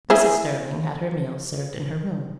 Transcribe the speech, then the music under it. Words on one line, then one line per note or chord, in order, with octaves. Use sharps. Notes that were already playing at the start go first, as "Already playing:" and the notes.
Mrs. Sterling had her meals served in her room.
E4 G#4 C5